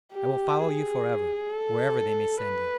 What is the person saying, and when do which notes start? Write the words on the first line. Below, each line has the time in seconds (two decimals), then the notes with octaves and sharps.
I will follow you for ever, wherever they may send you.
0.13 G4
0.59 G#4
1.50 A4
2.42 B4